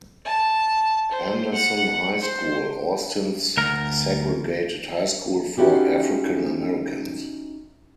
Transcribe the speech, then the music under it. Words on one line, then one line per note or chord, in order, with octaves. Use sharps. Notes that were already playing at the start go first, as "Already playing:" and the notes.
Anderson High School, Austin's segregated high school for African Americans.
A5
C5
F#5
C5
D2 A#4
C#4 D#4 E4 F#4 G4 A4